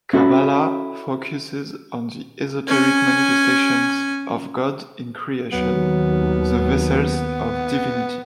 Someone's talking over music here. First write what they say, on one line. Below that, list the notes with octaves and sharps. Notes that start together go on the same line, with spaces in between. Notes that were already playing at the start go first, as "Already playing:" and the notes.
Kabbalah focuses on the esoteric manifestations of God in Creation, the vessels of Divinity.
C#4 E4 F#4 A4
C#4 G#5
D#2 F#3 B3